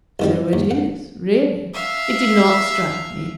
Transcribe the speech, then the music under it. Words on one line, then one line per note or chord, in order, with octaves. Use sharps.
'So it is, really; it did not strike me.
C2 D#3 G3
D#2
F#5
E5 F5